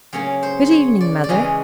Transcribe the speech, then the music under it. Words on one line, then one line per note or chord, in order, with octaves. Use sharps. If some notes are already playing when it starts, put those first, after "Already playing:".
'Good evening, Mother.'
C#3 F#3 A#3 C#4 C#5
C5
C#5
D5
D5
C#3 E3 G#3 D#5